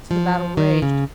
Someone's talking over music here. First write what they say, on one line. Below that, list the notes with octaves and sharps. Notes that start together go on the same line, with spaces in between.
So the battle raged.
F3
D#3
C#3